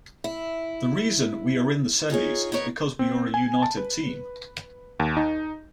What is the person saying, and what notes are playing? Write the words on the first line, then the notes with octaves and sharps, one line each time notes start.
The reason we are in the semis is because we are a united team.
E4
D#4 F4 G#4 C#5
B3 D#4 A#4 C#5
C4
G#5
A5
B4
D#2
D#4